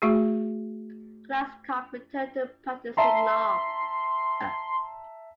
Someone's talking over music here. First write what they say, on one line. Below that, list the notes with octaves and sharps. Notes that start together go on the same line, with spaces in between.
Glasscock returned to practicing law.
A3 F#4 G#4
E5 A5 A#5 C6